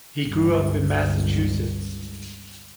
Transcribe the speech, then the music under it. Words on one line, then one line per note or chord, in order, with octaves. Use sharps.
He grew up in Massachusetts.
G1 C#2